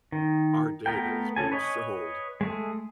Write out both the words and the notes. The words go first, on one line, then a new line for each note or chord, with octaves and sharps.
our data is being sold,
D#3
A3 B3 A#4 G5
C#3 C#4 A4 G#5
B4 C#5 D#5 G#5
G#3 A3 G#4